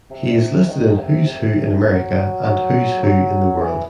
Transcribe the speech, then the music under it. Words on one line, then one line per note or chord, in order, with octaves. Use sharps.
He is listed in Who's Who in America and Who's Who in the World.
C3
D#3
C3
C3
F#3
F#3
F#3
E3